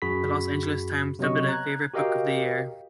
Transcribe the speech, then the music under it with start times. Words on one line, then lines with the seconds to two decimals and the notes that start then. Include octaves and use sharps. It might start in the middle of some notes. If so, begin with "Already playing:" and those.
The "Los Angeles Times" dubbed it a "favorite book of the year".
0.02 F#2 F#4 G#4 B5 B6
1.19 C3 F#3 B3 D#5 C#6
1.49 A#5 F#6 G#6
1.94 F#4 G4 A#4 D#5 F5 G5